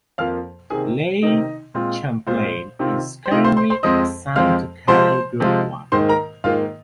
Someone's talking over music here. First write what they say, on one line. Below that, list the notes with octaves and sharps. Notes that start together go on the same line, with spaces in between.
"Lake Champlain" is currently assigned to Carrier Group One.
F2 F3 A#3 F4 F5 F6
C3 D#3 A#3 G#4 G#5
C3 D#3 A#3 D#4 D#5
A#2 G#3 C4 F4
A#2 G#3 C4 F4 C5
C3 D#3 C4 F4
C5
C3 D#3 C4 D#4 F4 D#5
C5 C6
C5 C6
C5 C6
F2 F3 G#3 C4 D#5 D#6
F2 F3 G#3 C4 F5 F6
C3 F3 G#3 F4 C5 C6
C3 F3 G#3 F4
G#2 D#3 A#3 C5 C6
A#4 A#5
G#2 D#3 A#3 F4 F5